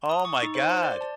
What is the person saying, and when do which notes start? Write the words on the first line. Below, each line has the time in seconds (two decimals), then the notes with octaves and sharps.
oh my god.
0.09 D#6
0.25 C#6
0.43 D#4
0.55 C5
0.70 C5
0.84 D5
1.01 A5